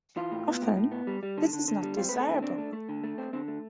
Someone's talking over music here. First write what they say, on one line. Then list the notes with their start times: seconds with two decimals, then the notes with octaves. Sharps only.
Often, this is not desirable.
0.17 E3 F4
0.32 A2
0.47 B3
0.62 A2
0.77 A2
0.92 B3
1.07 G3
1.23 G3
1.38 D3
1.53 D3
1.68 D3
1.83 G3
1.97 C4 F4
2.09 B4
2.13 A3
2.20 A4
2.28 D3 E4
2.42 C4 D4
2.58 A3
2.73 A3
2.89 D3
3.04 A3
3.18 C4
3.33 D3 C4
3.48 A3